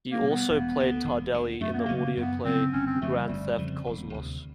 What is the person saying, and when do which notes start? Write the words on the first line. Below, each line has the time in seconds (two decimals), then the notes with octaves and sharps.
He also played Tardelli in the audio play "Grand Theft Cosmos".
0.12 A#3
0.21 B2 G3
0.30 B3
0.49 E1
0.76 D2 D3
1.04 E1
1.32 D2 D3
1.61 F#2 A3
1.73 B3
1.79 A#3
1.88 C#3 F#3 B3
1.98 A#3
2.17 F#2 B3
2.45 C#3 F#3 B3 C4
2.73 G1 C#4
2.87 C4
3.01 F2 C#3 F3 A3
3.15 G3
3.29 G1
3.58 F2 C#3 F3
3.86 E1
4.14 D2 C3